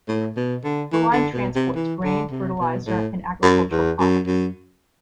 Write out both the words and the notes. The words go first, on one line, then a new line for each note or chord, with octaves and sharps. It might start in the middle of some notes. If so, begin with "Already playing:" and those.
The line transports grain, fertilizer and agricultural products.
A2
B2
D3
E3
D3
B2
C3
E3
D3
C3
B2
A2
F#2
E2
F#2
F#2